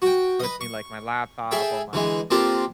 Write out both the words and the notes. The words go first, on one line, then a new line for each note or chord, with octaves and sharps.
with me, like my laptop or my
F#4 G5
B4 D#5
C#6
G#4 A4 E5 G5
D3 E3 G#3
A#3 C4 D4 F4 G4 A4